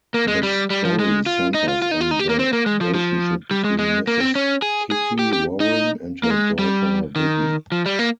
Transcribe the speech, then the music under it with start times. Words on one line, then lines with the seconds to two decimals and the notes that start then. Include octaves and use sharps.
The story centres on the relationship between Mrs Kitty Warren and her daughter, Vivie.
0.14 A#3
0.28 G#3
0.43 G3
0.70 G3
0.85 F3
0.99 G#3
1.26 F4
1.54 D#4
1.68 F4
1.82 F4
1.91 D#4
2.01 F4
2.11 D#4
2.19 G4
2.29 A#3
2.39 C4
2.53 A#3
2.66 G#3
2.81 F3
2.94 F3
3.51 G3
3.64 G#3
3.79 G#3
4.07 A#3
4.20 C4
4.35 C#4
4.62 G#4
4.91 G#4
5.19 G4
5.33 G4
5.60 D#4
6.24 A#3
6.30 G#3
6.59 G3
7.16 D#3
7.72 F3
7.86 G3
7.99 A#3